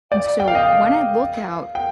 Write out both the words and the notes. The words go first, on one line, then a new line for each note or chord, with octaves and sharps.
And so when I look out
D5
G5
F5
D#5
F5
G5